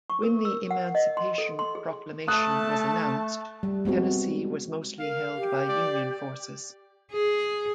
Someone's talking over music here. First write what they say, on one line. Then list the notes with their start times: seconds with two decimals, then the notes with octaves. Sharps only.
When the Emancipation Proclamation was announced, Tennessee was mostly held by Union forces.
0.10 C#6
0.23 A#4
0.45 E6
0.71 F#5
0.95 D#5
1.17 C6
1.38 A4
1.59 C6
1.75 G#4
2.28 A3 A5 D#6 F#6
3.63 G3
3.85 G#3 B3 C4 F#4
4.99 A#4 F5
5.36 G4
5.68 D5
7.12 G#4